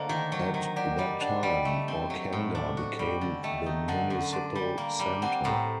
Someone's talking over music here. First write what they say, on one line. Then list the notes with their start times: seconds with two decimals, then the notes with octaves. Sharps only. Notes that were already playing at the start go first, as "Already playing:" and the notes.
At that time Orkanger became the municipal center.
Already playing: D3 A3 A#3 C5 D#5
0.09 D#3
0.32 F#3
0.54 D#3
0.76 G4 D5 F#5
0.98 G3 D#5 G5
1.20 D4 D5 F#5
1.43 G3 D#5 G5
1.65 A3
1.88 C4
2.10 F#3
2.33 A2
2.55 D4
2.77 F#4
2.99 G3
3.21 D3
3.43 A3 D#5 G5
3.66 D#4
3.88 D3 F#5 A5
4.10 F#2
4.32 D4 A5 C6
4.55 G3
4.78 A#3
4.99 G3
5.22 C4 F#5 A5
5.44 A2 G5 A#5